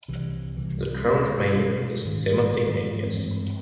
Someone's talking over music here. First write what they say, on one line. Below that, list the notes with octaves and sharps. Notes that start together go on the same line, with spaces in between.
The current mayor is Timothy Maniez.
C2 C3 E3
C2 C3 E3
B2 G#3 C#4
B2 G#3 C#4
G#2 D#3 G#3
G#2 D#3 G#3
G2 E3 G#3 C4